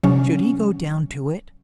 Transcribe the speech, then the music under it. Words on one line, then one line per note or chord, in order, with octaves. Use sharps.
Should he go down to it?
C3 F#3 C#4